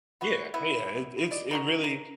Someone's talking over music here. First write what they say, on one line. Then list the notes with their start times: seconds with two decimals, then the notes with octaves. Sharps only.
Yeah, yeah, it's it's it really
0.21 B3 F#4
0.54 B3 E4
1.31 D5 D#5
1.51 D#4 F#4 A#4
1.84 A#4